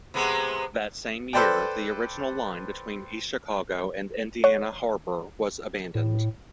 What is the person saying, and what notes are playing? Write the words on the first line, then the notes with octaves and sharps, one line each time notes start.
That same year, the original line between East Chicago and Indiana Harbor was abandoned.
C3 G#3 B3
A4 B4 C5 D5 G5
C#5 F#5
A2